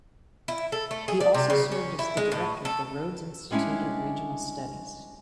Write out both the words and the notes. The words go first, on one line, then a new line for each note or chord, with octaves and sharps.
He also served as the director of the Rhodes Institute of Regional Studies.
E4
A4
A3
G#4
D5
C3
C#3
C#4
E4
G#3
A2
A4
G3 G#3 C#4 D4 E4